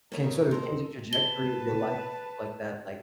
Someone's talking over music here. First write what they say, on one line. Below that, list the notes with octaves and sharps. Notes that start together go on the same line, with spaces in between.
can sort of change the trajectory of your life and stuff like that, like,
G3 A3 A#3 D#4 C#5
F2 C4 D#4 A4 A#4 C5 C6
B4 A5 G7